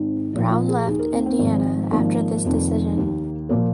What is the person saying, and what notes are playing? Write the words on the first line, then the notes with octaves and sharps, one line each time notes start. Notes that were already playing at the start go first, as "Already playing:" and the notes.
Brown left Indiana after this decision.
Already playing: G#1 G#2 D#3 C4
A#1 A#2 F3 D#4
F4
G#4
D#2 D#3 G#4
A#4
C4
C4
G#1 G#2 F3
G#1 G#2 F3 A#3
F1 F2 D#3
D#2 D#3
A#2 F3 A#3